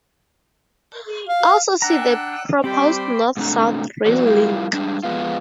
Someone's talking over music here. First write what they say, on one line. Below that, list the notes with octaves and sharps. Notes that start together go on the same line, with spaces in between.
Also see the proposed North-South Rail Link.
F5
D4 F#5 G5 A#5 E6
G3 C4 G4 C5 G5 B5 D6
G#2 C3 A3 D4 A#5
E3 F#3 B3 C4 F#4 D5
G3 E4 F4 G4 A#4
G3 G#3 D4
F2 G#3 B3 F4